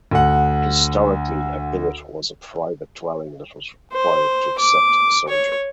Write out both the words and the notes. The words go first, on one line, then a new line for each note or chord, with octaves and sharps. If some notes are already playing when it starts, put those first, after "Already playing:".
Historically, a billet was a private dwelling that was required to accept the soldier.
D2 F#5
C5
D6
C#5